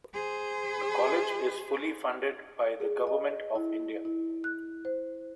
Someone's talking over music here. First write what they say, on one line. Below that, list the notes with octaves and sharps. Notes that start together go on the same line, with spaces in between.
The college is fully funded by the Government of India.
G#4 C5
G#4
D#5
E4
E4
F#6
C5